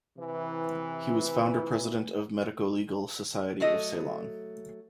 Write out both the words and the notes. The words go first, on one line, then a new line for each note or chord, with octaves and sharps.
He was founder-president of the Medico-Legal Society of Ceylon.
C3 E3
F#3 A3 D#5